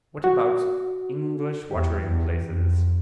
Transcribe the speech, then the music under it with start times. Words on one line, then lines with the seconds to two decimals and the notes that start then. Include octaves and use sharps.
What about English wateringplaces?
0.24 F#4
1.71 E2 G4
2.08 E2
2.45 F2